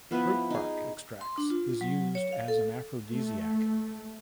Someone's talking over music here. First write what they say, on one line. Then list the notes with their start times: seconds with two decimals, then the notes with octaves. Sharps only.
Root bark extracts is used as an aphrodisiac.
0.11 F3 B3 E4 B4
0.50 D#4 G#4
1.21 C6
1.38 D4
1.50 F4
1.81 F#3
2.15 C#5
2.32 F5
2.48 A4
3.07 A3